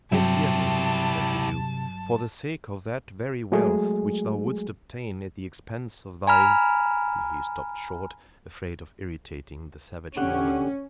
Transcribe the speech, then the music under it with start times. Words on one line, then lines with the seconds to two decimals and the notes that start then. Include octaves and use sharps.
"Yet hear me," said the Jew--"for the sake of that very wealth which thou wouldst obtain at the expense of thy---" Here he stopt short, afraid of irritating the savage Norman.
0.12 G2 C3 F#3 E4 G4 A5
3.52 F#3 G#3 A3 G#4
6.27 G#5 A#5 B5 F6
10.17 D3 C#4 G4 F#5